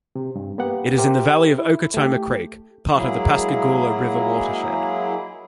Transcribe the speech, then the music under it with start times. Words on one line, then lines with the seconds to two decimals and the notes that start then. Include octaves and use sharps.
It is in the valley of Okatoma Creek, part of the Pascagoula River watershed.
0.16 C3
0.36 G2
0.58 A#3 B3 G4 F#5
0.98 G4 A#4 C5 E5
1.59 E4
1.94 A3 G4
2.94 F#3 G#3 A#3 E4 G#4